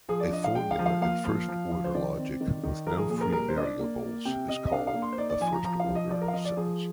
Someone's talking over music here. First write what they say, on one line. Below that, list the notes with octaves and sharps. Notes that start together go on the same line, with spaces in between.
A formula in first-order logic with no free variables is called a first-order sentence.
F3 G#4
D5
D4 D#5
F5
G#3 G5
F5
F3
F5
A#3 F5
F3
F3
F3
C5
D#3 D5
C4
D#3
D#3
F3 A#4
G#4
A#2 G#4
A#4
G#4
G3 A#4
C5
D4 D#5
D5
A#3
A#3
C3 G5
C3 D#5
D#5
D4 F5
F5
A#3
C6
C5
D#4 D5
D5
F3 G#5
A#5
F3 A#5
F5
F3
D#5
F3 D5
A#4
F5
F3 D#5
D5
F3 G#4